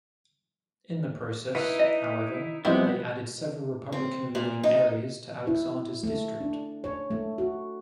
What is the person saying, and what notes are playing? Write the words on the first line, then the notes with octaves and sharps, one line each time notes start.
In the process, however, they added several Republican-leaning areas to Alexander's district.
D#4 E4 B4
D#5
F3 G3 G#3 B3 C4 E4 G5
C4
A#2
D#4
E4
A3
D4
C#5
A3
F#4